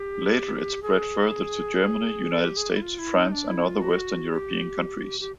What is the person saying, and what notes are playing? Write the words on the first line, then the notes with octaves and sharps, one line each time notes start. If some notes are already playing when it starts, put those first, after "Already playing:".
Later it spread further to Germany, United States, France and other Western European countries.
Already playing: G4
G#4
A4
G4
G#4
G4
E4
F4
E4
D#4
D4
E4
F4
F#4
G4
G4